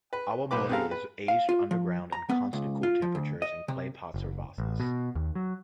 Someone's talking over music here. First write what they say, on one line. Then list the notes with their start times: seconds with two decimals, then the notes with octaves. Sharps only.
"Awamori" is aged underground in constant cool temperatures in clay pots or vases.
0.13 B4
0.51 B1 A#3 B4 D6
0.69 B3 C4 G#4 A4 F5 A#5
0.91 B4
1.28 F5
1.49 F4
1.71 F3
2.12 A#5
2.29 B3
2.53 C#2
2.83 F4
3.02 F3
3.15 D2
3.42 D#5
3.68 C3
4.14 F#1
4.58 A1
4.80 B2
5.15 D#2
5.35 F#3